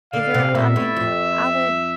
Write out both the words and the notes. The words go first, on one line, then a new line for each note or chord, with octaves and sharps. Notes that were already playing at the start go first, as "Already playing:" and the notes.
Either I mean, I I would
D3 F5
C3
A#2 E5
A2
F2